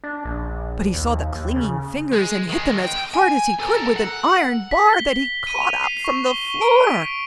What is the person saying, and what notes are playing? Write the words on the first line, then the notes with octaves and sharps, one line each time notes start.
But he saw the clinging fingers, and hit them as hard as he could with an iron bar that he caught up from the floor.
D4
A#1
D#2
D#2
C#3
G#3
D#3 G#3
G5
G#5
A4 A#4
F#5
B6
G7
D#7
F7
C7
C#6
G7
D7
B6